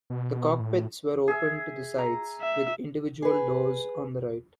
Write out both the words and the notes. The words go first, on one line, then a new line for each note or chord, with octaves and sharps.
The cockpits were open to the sides, with individual doors on the right.
B2
A2
G#4 E5
A#5
E5
G#4 B4